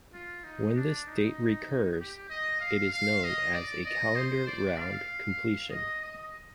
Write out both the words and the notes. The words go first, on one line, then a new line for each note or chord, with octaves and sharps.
When this date recurs it is known as a Calendar Round completion.
F4
D#4
D4
D#4
G4
D#5
F5
F5
D#5
D5
D#5
C5
D5
F5
D#5
D#5